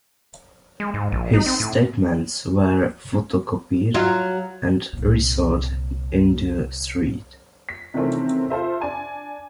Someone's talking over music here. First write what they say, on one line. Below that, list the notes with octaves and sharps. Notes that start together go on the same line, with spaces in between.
His statements were photocopied and resold in the street.
G#3
G#2
A#1
D#4
C4
A2
F#3 F4
C2 A#2
B6
C3 D#3 E3 A3 C4 C#4
F4 A4 C5 E5
D4 D5 G#5 A5